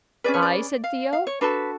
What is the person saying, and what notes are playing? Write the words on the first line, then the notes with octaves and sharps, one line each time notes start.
"I?" said Theo.
C#4 G#4 B4 D5
C#5
D5
F5
F5
C#5
D4 F#4 A4 B4